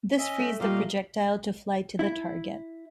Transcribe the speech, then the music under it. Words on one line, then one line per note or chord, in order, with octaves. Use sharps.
This frees the projectile to fly to the target.
C#4 D#5 E5
A3
A#2 G3 A3 A#4 D#5 F5
E4